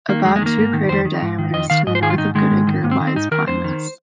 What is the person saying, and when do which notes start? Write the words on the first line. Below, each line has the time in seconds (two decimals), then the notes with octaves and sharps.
About two crater diameters to the north of Goodacre lies Pontanus.
0.09 D#3 A#3
0.25 F2 G#3
0.36 G#3
0.41 D#3 A#3
0.57 G#2
0.73 D#3
0.89 F2 C5
1.05 D#3
1.22 G#2
1.38 D#3
1.53 F2 D#5
1.70 D#3 F5
1.87 G#2 D#5
1.95 C5
2.02 D#3 G#4
2.10 F4
2.18 G#2 D#4
2.35 D#3 G#3
2.51 G#2
2.67 D#3
2.84 G#2 A#3
2.91 C4
3.00 D#3
3.07 C4
3.16 G#2 D#4
3.31 D#3 A#4
3.48 F2 C5
3.64 D#3